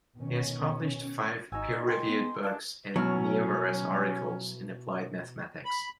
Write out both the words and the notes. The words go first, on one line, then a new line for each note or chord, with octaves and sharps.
He has published five peer-reviewed books and numerous articles in applied mathematics.
B2 D#3 C#4
G#1 D#4 F#4 G#5 A#5 E6
D5
G#4 A#4 G5 G#5 C6
B3
D4 D5 F5 A5
B2 F#3 C#4 E4 F6
B5